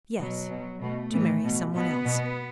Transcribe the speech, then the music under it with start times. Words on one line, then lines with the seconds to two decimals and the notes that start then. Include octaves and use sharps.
"Yes--to marry some one else."
0.19 B2 F#3
0.49 B2
0.80 B2 A3
1.11 A2 E3
1.43 B2
1.74 B2 B3
2.05 B2